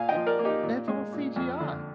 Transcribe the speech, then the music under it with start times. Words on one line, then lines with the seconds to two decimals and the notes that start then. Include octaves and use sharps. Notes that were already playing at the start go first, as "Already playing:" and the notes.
i y that's all CGI.
Already playing: A#2 F5 G#5
0.09 D#5 G5
0.15 F3
0.27 A#4 D5
0.39 A#3
0.45 D#4 G4
0.63 A#2
0.88 G#3
1.12 A#2
1.36 F2
1.60 D3